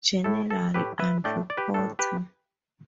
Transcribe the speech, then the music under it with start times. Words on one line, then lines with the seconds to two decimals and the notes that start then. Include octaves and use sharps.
General Andrew Porter.
0.24 A2 A3 E4 A4
0.50 A4
0.74 A2 A3 E4 G4 B4
0.99 B4 E5
1.24 A2 A3 D4 D5 G5
1.50 D5
1.57 G4 B4
1.74 A2 A3 D4 A4
1.99 G4 B4